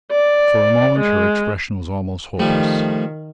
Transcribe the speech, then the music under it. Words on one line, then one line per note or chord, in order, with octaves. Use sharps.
For a moment her expression was almost hopeless.
D5
G#3
D#3 F3 G3 A3